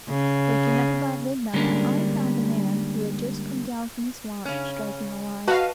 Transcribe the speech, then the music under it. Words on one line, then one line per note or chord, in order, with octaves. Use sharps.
Waking up about midnight, I found a man who had just come down from his watch, striking a light.
C#3
D3 G3 G#3 A#3 C#4 D4
C#3 C#4
F#4 B4 D#5 F5 A5